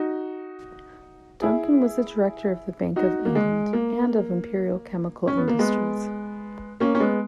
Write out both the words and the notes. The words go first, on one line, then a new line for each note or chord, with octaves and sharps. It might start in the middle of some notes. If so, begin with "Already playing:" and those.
Duncan was a Director of the Bank of England and of Imperial Chemical Industries.
Already playing: D#4 F#4
E4 G#4
D#4 F#4
A#3
G#3
A#3
C#4
B3
A#3
G#3 B3
A#3 C#4
C#4
G#3 B3